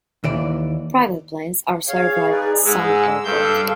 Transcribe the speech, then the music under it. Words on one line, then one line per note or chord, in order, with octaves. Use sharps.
Private planes are served by Sumy Airport.
D#2 E3 D5
G#4 C#5 F5
D#4 B4 D5
G#2 G#3 E6
G2 A4 F5 G6